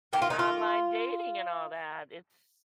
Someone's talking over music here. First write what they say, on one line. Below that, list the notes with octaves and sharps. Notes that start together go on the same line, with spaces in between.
The online dating and all that, it's
D#3 G4
A#3 F4
D#4
F4